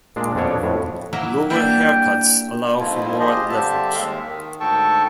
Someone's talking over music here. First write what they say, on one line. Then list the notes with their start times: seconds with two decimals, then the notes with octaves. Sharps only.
Lower haircuts allow for more leverage.
0.16 A#2 G#3 D4
0.35 F2 B2 D4 C#5
0.62 F2 A2
1.13 F#3 A#3 E4
1.50 G3 A#3 D4 E4 G5
2.79 F2 G#2 B2 F3 E4 F4
3.20 F4 G4 G#4 C5 D#5
3.49 G2 D3 C4 G4 E5 A5
3.94 D#2 G#3 E5 F5
4.26 D#3
4.60 D2 G#2 A4 G5 A5 C#6